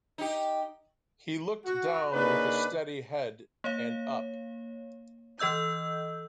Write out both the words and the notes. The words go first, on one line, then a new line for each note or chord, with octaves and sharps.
He looked down with a steady head, and up.
D#4 G4
F#4
C#3 A#3 D4 D#4 B4
A#3 C#5 F5
E3 A4 D#5 E6 G6